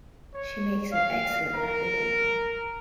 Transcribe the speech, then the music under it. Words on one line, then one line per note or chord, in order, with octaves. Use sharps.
She makes an excellent apple dumpling.
C#5
F5
A#4